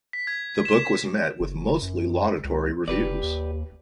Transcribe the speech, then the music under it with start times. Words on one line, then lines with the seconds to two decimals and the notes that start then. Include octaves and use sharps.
The book was met with mostly laudatory reviews.
0.13 B6
0.27 G#6
0.65 E7
1.40 F#1
1.82 F#2
2.44 C#2
2.88 F1 G4 B4 D5
3.23 D#2